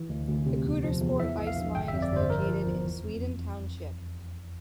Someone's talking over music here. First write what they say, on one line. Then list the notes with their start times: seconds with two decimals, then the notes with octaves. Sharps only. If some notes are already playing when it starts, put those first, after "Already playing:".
The Coudersport Ice Mine is located in Sweden Township.
Already playing: E3
0.09 D2
0.28 D2
0.46 C3
0.64 E2
0.83 F3
1.01 E2
1.20 E3 E5
1.38 A#1
1.47 F5
1.56 A#1
1.75 G1 G5
1.88 E5
1.93 F2
2.02 D5
2.12 G1 C5
2.30 F3 A#4
2.48 F3
2.67 E2
2.85 E3
3.04 F2
3.22 F2